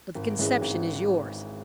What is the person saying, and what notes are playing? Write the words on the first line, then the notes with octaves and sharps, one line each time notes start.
But the conception is yours.
G#1
G#2 E3 G#3 C#4
G#1